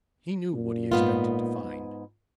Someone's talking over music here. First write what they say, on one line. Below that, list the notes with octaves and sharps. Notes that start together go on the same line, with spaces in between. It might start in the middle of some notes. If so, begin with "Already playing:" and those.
He knew what he expected to find.
A#2
G#2 B3 F4